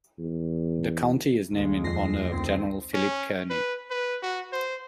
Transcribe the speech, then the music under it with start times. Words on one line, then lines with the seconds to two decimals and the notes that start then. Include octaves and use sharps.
The county is named in honor of General Philip Kearny.
0.19 E2
1.51 D#2 G#3
1.84 F2 A#6 C7
2.29 D2 D#3 C4
2.94 C#4
3.50 B4
3.90 B4
4.23 F#4
4.52 C5